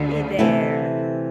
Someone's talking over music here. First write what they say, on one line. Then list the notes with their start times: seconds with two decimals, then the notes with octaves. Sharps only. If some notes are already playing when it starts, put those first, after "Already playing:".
Hey there.
Already playing: D2 D3
0.39 C3 E3 A3 E4 A4